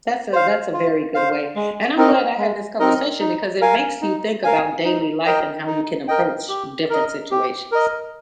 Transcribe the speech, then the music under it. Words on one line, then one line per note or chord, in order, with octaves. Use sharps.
that's a that's a very good way. And I'm glad I had this conversation because it makes you think about daily life and how you can approach different situations.
C5 F5
F4
C5 F5
G#3
C4 D#4 A#4 D#5
G#3
C4 D#4 A#4 D#5
D#4
A#4 F5 G#5
D#4
A#4 F5 G#5
D#4
A#4 D#5 G5
D#4
A#4 D#5 G5
G4
A#4 D#5
G4
A#4 D#5